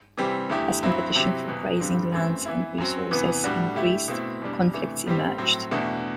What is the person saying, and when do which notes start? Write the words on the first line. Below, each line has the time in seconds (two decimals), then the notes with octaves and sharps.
As competition for grazing lands and resources increased, conflicts emerged.
0.17 C3 E3 G3 C4 G4
0.50 E2 D3 A3 E4 G4
0.83 G2 F#3 C4 E4
1.15 C3 F#3 C4 E4 G4
1.48 E2 B2 F#3
1.80 G2 D3 G3 C4
2.12 F#2 E3 A3 C4
2.45 E3 B3 E4
2.78 F#2 F#3 C4
3.11 E2 C3 E3 B3
3.44 A2 G3 D4 F#4
3.76 D3 A3 E4 G4
4.08 B2 A3 C4 E4
4.42 E2 B2 G3 D4
4.73 C3 E3 A3
5.07 A2 G3 C4 G4
5.38 A2 F#3 C4
5.71 E2 B2 A3 D4 F#4